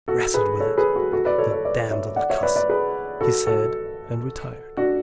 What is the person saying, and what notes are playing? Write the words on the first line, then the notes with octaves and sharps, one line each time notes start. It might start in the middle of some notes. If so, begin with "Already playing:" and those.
"Rastled with it,--the damned little cuss," he said, and retired.
F#4 A4
G#4 B4
A4 C#5
G#4 B4
F#4 A4
F#4 A4
B4 D5
A4 C#5
A4 C#5
B4 D5
C#5 E5
D5 F#5
C#5 E5
B4 D5
B4 D5
G#4 B4
F#4 A4
F#4 A4
D4 F#4